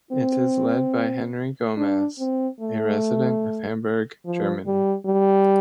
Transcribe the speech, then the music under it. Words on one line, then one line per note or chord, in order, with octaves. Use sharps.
It is led by Henry Gomez, a resident of Hamburg, Germany.
C4
D4
C4
A3
F3
G3
G3